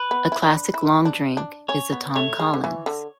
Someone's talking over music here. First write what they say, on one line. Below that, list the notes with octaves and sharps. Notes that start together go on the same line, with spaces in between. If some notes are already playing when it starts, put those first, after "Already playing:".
A classic long drink is a Tom Collins.
Already playing: B4
B3
E4
D4
E4
D4
D4
C#4 C#5
B3
A3 C#5
G#3
D3
E3
D3